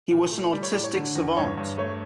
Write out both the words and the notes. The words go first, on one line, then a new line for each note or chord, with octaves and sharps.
He was an autistic savant.
A#2
A3
G3 D5
C#5
A2 D5
C#5
D3
E2
G2 C#5
G2
A3 C#5